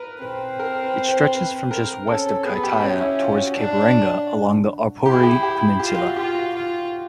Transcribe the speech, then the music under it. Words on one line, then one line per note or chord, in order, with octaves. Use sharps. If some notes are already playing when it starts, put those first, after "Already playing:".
It stretches from just west of Kaitaia towards Cape Reinga along the Aupouri Peninsula.
Already playing: A#4 B4
C4 B4
A#4
B4
C5
B4
A#4
C#4 A4
A4
B3 G#4
G4
C#4 F#4
E4
F4
F#4
D4
E4 G4
G#4
G4
G4
F4 G4
F#4
F4 G4
F#4
F4